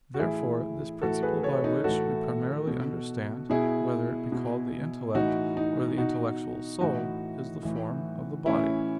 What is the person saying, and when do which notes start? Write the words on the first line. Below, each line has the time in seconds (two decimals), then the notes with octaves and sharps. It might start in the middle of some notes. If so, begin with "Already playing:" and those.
Therefore this principle by which we primarily understand, whether it be called the intellect or the intellectual soul, is the form of the body.
0.14 F#4
0.19 A2 E3 E4 G#4
1.02 A2 E3 F#4 A4
1.23 G#4 B4
1.43 A4 C#5
1.64 D#4
1.84 A2 E3 F#4 A4
2.67 B2
3.50 B2 E4 G#4
4.32 B2
5.15 A2 E3 D#4 F#4
5.57 D#4
5.97 B2 D#4 F#4
6.81 A2 E3 D#4 F#4
7.63 A2 E3
8.46 A2 E3 C#4 E4